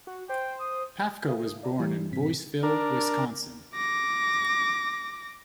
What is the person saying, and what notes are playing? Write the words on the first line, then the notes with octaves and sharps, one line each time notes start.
Pafko was born in Boyceville, Wisconsin.
F#4
C5 G5
D#6
A4 A#4 E5 F5 D#6
D5 A#5
E3 G3 E4 G4
G#2 B2 C4 B6
D4 A#4
D6 A#6